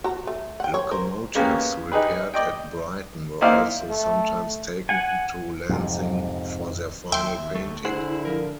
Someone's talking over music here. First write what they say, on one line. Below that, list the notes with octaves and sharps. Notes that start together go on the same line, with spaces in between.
Locomotives repaired at Brighton were also sometimes taken to Lancing for their final painting.
F#4 A#5
A3
F#5 G5
C#5
A#4 C5
G#3 A#3 B3 C#4 G4
D#4 G4 G#4 B4
D5 D#5 G5
A#3 D#4 E4 C5 D5 F5
A3
F#5 G#5
F2 G#2 C3
D#2 E5 G5 C6
A3
D3 E4 G#4 C5 F#5
F3 A#4